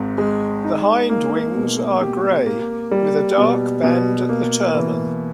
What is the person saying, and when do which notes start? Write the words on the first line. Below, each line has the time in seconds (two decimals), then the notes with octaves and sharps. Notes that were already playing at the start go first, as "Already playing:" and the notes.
The hindwings are grey with a dark band at the termen.
Already playing: G#1 G#2
0.18 G#3
0.64 D#4
1.09 A#3
1.55 B2
2.01 G4
2.47 A#3
2.91 G3
3.38 B2
3.84 B2
4.29 A#3
4.74 E3